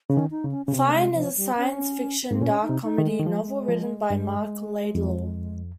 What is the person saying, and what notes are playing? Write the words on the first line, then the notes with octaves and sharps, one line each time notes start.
Fine, is a science fiction dark comedy novel written by Marc Laidlaw.
C#3 C#4
D#3
D#4
C#3
C#4
C#3 C#4
C3 C4
A#3
G#3
F3
G3
C#4
G#2 C4
A#2 C#4
D#4
C3
D#4
D#3
G#3
D#3
F3 G#3
F3
G2
F2